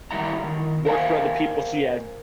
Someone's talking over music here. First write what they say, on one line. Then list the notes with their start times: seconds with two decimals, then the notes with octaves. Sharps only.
work for other people, so yeah
0.11 A2 D#3 E3 G3 E4 A#5
0.44 D#3
0.85 A#4 C5 F5 G#5